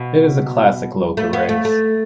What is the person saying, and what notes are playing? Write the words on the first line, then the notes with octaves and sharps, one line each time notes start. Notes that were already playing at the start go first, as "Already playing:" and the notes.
It is a classic local race.
Already playing: B2
A3
B3
A3
A3